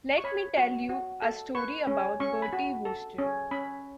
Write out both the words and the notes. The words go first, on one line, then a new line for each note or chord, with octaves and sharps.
Let me tell you a story about Bertie Wooster.
C#6
C#5 B5
F#4
F#4
A4
B4 C#6
C#4
C#4 C#6
B5
F#4
A4
C#4
C#4 B5